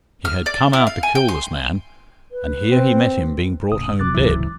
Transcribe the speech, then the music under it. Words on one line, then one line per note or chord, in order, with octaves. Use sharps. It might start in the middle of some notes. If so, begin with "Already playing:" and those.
He had come out to kill this man, and here he met him being brought home dead.
F6
D5
E4
F5
G#5
G5
C6
B4
C4
E1 A2 C#3 D#6
D#1 C3 F#3 D6 F#6 A6
C#2 G#2 E3